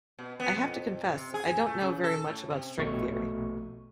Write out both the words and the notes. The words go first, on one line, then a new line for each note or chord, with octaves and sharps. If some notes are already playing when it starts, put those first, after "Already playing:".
I have to confess I don't know very much about string theory.
B2
B3
F2
C3
G#4
A3
C#3
A4
A2
C3
A#1 B2 A3 C#6